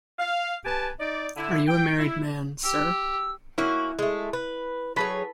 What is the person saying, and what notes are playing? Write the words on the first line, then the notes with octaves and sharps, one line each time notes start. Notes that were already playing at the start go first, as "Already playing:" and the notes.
Are you a married man, sir?
F5
G4 B4 G#5 A5
D#4 D5
D3 E4
G5
E4
G4 E6
A#3 C#4 E4 F#4
G#3 A3
B4
F#3 G#4 A4 B4 C#5 B5